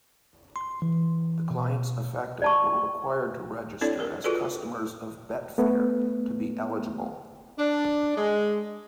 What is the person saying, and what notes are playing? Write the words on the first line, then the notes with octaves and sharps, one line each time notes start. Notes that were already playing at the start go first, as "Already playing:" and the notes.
The clients affected were required to register as customers of Betfair to be eligible.
C6
E3
B2
D5 A5 C#6
C4 D4 E4 A4 C#5 D5
A#4
F4 F#4 G#4 A4 B4 D5
A3 B3
D4
G#3